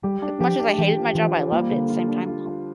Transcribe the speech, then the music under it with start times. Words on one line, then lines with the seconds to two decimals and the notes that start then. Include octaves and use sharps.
as much as I hated my job, I loved it same time, now.
0.03 G3 G4
0.22 D4
0.40 F3 G4
0.59 D4
0.78 E3 G4
0.97 F3
1.15 E3 F3
1.34 F3
1.52 G3 A#3
1.71 D3
1.90 F4
2.08 D4
2.26 F4
2.45 F4